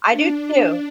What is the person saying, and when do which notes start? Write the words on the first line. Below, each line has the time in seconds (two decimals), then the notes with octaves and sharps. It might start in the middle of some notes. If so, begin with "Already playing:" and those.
I do too.
0.10 D4